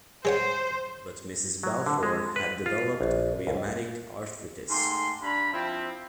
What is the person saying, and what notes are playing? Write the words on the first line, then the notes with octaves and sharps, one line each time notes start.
But Mrs Balfour had developed rheumatic arthritis.
G#3 C5 C#5 F#5
F#3
D3
G#3
B4
F4
A#1
C#2
G#2 A3 G4 C6
G2 D4 A#5 B5
F3 C4 E4